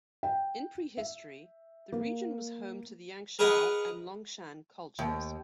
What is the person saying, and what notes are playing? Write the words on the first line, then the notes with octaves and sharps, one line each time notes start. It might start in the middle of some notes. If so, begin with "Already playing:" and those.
In prehistory, the region was home to the Yangshao and Longshan cultures.
G5
E5
A#3
G#4 A#4 B4 D#5 F#5 G#5
D#2